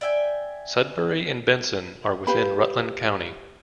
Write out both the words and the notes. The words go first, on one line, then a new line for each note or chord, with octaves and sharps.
Sudbury and Benson are within Rutland County.
D5 E5 G5 G#5
G4 B4 F5 B5